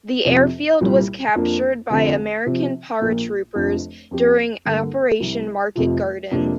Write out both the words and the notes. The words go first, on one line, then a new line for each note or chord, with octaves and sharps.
The airfield was captured by American paratroopers during Operation Market Garden.
F2 C3 F3 C4
C2 A#2 G3
F2 F3 A#3 D4
F1 F2 D3 F3 C4
C3 F3 C4
A#1 A#2 A#3
F1 F2 F3 D4
F2 F3 C4 G4
G2 D3 A#3
C2 C3 G3
F1 F2 C3 F3
F2 C3 A#3 D4 A#4